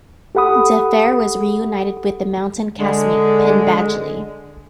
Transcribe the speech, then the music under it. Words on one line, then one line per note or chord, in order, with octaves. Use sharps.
DeFer was reunited with "The Mountain" castmate Penn Badgley.
G4 A4 F#5 B5 D#6
D3 G#3